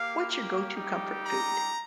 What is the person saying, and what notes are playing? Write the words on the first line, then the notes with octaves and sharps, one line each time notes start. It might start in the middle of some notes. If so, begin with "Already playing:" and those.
what's your go to comfort food?
Already playing: A#3 G4 F5
G3 D#4 G4
A#5